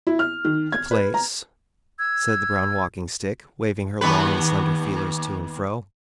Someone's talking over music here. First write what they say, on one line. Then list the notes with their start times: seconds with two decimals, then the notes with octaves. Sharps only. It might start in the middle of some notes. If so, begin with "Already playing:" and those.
"A place?" said the Brown Walking-Stick, waving her long and slender feelers to and fro.
0.07 E4
0.19 F6
0.45 D#3
0.72 G#6
0.91 B4
1.14 A#5
1.98 E6 G#6
4.01 D#2 B3 B4